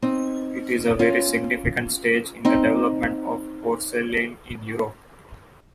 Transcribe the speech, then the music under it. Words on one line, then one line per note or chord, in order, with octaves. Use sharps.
It is a very significant stage in the development of porcelain in Europe.
C4 D#4
C#4 F4
C4 D#4